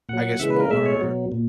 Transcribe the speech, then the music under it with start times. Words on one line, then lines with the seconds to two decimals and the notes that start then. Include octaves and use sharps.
I guess, more
0.09 A#2 F#3 F#5
0.40 C#3 E3 G#3 E5
0.50 B4
0.60 A#4
0.70 B2 G#3 E5
0.86 C#5
1.01 B2 F#3
1.32 A#2